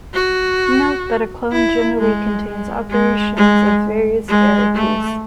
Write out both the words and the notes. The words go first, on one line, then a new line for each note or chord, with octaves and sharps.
Note that a clone generally contains operations of various arities.
F#4
E4
G#3
G#3
G#3
G#3
G#3
A3